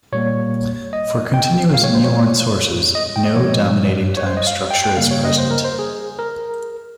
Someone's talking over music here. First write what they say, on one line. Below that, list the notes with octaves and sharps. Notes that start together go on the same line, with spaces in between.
For "continuous" muon sources no dominating time structure is present.
A#2 G3 A#3 C#5
D#5
G5
A#2 G#3 F5
C#5
C5
C#5
D#5
G5
D#5
A#2 F3 G#3 C#5
C#5
C5
D#5
F5
G5
G5
C#3 G3 A#3 F5
C#5
D#5
C5
A#4
C5
G#4
A#4